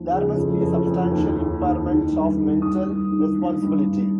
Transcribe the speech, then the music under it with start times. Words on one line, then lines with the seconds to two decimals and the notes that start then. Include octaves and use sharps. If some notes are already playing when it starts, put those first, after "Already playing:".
There must be a "substantial" impairment of mental responsibility.
Already playing: D#2 F3
0.12 C#3
0.36 F2
0.61 F2
0.87 F2
1.11 D#2
1.37 D#2
1.61 D#3
1.86 D#3
2.12 G2
2.37 D#3
2.62 G2 D#6
2.87 G2
3.12 D#3
3.38 G2
3.62 G2
3.87 G2